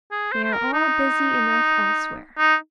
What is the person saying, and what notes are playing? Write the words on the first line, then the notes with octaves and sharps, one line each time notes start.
They are all busy enough elsewhere.
G#4
C5
C5
A#4
D#4
D#4